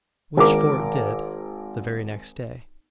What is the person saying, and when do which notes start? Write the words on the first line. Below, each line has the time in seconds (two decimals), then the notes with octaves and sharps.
Which Fort did, the very next day.
0.37 G#1 A#4 D6